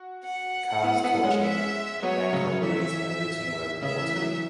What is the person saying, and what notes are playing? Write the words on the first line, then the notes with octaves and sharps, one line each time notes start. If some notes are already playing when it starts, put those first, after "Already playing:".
Cars torching, bank robberies and looting were reported.
Already playing: F#4
F#5
B3 E4
B3 E4
G#3 C#4
E5
F#3 B3 C#5
C#3 F#3
E3 E5
C#3 E5
E3
F#3
E3